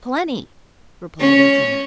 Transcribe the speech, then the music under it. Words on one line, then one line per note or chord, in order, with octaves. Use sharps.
"Plenty," replied Ojo.
C#4